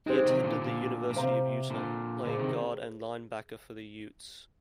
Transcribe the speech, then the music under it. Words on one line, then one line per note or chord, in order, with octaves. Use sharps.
He attended the University of Utah, playing guard and linebacker for the Utes.
G#3 C4 D#4 G4 C5
C3 D#3
A#2 D3
A#2 D3
A#2
C3 C5 F5 A#5
A#2 D3
A#2 D3 D4 G#4 C5 D#5 A#5
C3 D#3